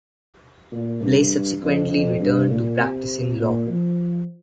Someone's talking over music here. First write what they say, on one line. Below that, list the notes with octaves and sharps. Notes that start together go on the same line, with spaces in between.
Blais subsequently returned to practicing law.
A#2
G2
F2
F2
G2
A#2
C3
A#2
F3